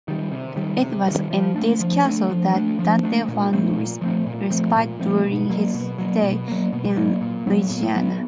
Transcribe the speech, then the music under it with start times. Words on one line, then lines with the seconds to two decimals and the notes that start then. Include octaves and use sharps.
It was in these castles that Dante found respite during his stay in Lunigiana.
0.08 D#3 G3
0.32 C3
0.56 D#3 G3
0.82 C3
1.06 D#3 G3
1.31 F3
1.56 A3 D4
1.80 F3
2.05 A3 D4
2.29 F3
2.54 A3 D4
2.79 F3
3.03 A3 D4
3.28 A#2
3.53 F3 A3 C4
3.76 A#2
4.01 F3 A3 C4
4.26 A#2
4.50 F3 A3 C4
4.76 A#2
4.99 F3 A3 C4
5.25 B2
5.50 F#3 A#3
5.74 B2
5.98 F#3 A#3
6.23 B2
6.48 F#3 A#3
6.73 B2
6.96 F#3 A#3
7.21 A#2
7.47 F#3 B3
7.70 A#2
7.96 F#3 B3